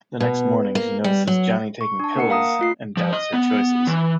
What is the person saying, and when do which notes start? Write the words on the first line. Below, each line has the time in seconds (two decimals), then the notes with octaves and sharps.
The next morning, she notices Johnny taking pills and doubts her choices.
0.20 B2
0.75 A#3
1.04 G3
1.27 F#3
1.81 C#6
2.00 D4 A5
2.16 A#3 A#4 F#5 C#7
2.30 F5 A#5 D#6
2.59 A3 F4 C7
2.97 F3
3.13 D#5
3.33 B3
3.87 E3